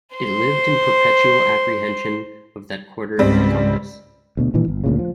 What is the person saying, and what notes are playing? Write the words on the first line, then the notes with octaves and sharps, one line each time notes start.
It lived in perpetual apprehension of that quarter of the compass.
C5 C6
C#2 G#2 G3 C4
D2 B2
G2 A#2 D#3 E3
G1
D2 A#2 C#3
F3